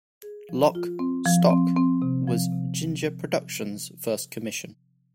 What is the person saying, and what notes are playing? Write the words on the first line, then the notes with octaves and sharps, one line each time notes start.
"Lock, Stock..." was Ginger Productions' first commission.
G#4
F3
F4
C4
F3
C4
C4
C3
F3
C3